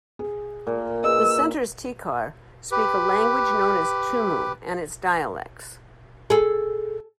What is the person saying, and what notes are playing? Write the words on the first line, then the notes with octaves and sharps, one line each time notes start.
The Centre's Tikar speak a language known as Tumu and its dialects.
G#4
A#2
G#4 B4 D#5 E6
G4 B4
G#4 A4